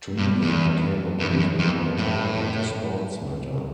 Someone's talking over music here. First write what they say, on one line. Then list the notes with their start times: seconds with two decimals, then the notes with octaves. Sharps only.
To me, it became a political matter, not a sports matter.
0.17 G2
0.42 E2
1.19 E2
1.29 F2
1.36 E2
1.58 F2
1.97 A2